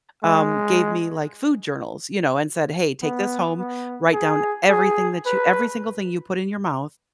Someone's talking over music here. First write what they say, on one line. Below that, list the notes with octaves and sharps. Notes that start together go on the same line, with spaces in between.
um, gave me, like, food journals, you know, and said, "Hey. Take this home. Write down everything that you every single thing you put in your mouth.
G#3
B3
B3
G#4
G#4
B4